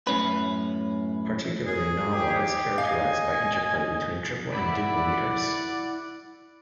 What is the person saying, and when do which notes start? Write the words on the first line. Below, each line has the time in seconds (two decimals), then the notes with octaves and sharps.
Particularly Gnawa is characterized by interplay between triple and duple meters.
0.07 F#2 A2 C#4 B4
1.66 G#4
2.12 G4
2.78 D#5 F5 G#5
4.54 E4 D5 F#5 B5